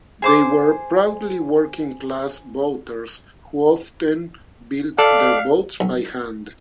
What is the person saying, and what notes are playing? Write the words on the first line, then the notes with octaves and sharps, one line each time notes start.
They were "proudly working class" boaters who often built their boats by hand.
G#4 C5 D6
A4 D5 F5
B1